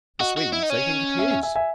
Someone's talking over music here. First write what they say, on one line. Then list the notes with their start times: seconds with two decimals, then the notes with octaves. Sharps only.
The Swedes, they think it his.
0.20 F#4 D#5 F#5
0.37 F#4
0.53 E4
0.63 D#4
0.70 C#4
1.19 E5 G#5
1.31 E5 G#5
1.43 E5 G#5
1.55 E5 G#5